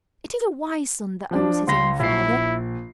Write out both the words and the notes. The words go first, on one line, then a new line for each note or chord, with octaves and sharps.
It is a wise son that owes his own father.
F3 D4
C#2 C6 A#6
A#1 E4 C7